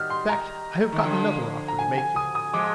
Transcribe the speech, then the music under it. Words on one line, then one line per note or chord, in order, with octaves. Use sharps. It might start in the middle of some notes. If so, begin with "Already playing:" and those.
In fact, I have got another offer to make you.'
Already playing: D#3 G3 F6
C6
A#5
D#3
D3 F3
A#5
G#5
G#5
D#6
D#6
F3 G#3 D6